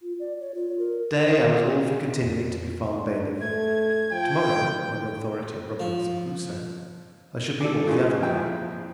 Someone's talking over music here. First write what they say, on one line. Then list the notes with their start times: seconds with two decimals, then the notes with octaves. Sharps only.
To-day I was all for continuing to be farm-bailiff; to-morrow, on the authority of ROBINSON CRUSOE, I should be all the other way.
0.02 F4
0.20 D5
0.40 C#5
0.54 F4
0.79 A#4
1.07 A#4
1.21 C5
2.22 F2 E4
3.01 D4
3.41 A3 G#6
4.12 F3 G5
5.80 F3
7.61 A4 D5
7.86 A2 C#3 E3 F3 G#3
8.22 A#1 F2 E4 G5